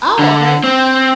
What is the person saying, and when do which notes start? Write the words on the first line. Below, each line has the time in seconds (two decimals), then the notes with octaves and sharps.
Oh, okay,
0.19 D3
0.64 C4